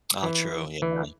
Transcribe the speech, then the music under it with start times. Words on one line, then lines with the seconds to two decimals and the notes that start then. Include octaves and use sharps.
All true. Yeah.
0.23 E3
0.82 E3